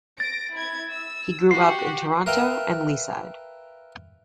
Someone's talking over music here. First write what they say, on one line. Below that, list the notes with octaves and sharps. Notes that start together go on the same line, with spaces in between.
He grew up in Toronto and Leaside.
A6 A#6 D7
E4 G#6
E6
F#4 G4 F#5 C7
A#4 B4 E5 F5 G5 A5